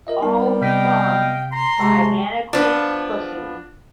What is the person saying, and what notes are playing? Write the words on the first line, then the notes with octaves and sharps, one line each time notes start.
All songs by Mannequin Pussy.
F4 A#4 D#5 E5
G3 B3 D#4 A#4
C3 D#5 F5 G5 B6
A#5 C6
C3 G#3 A5 C#6
F3 B3 D4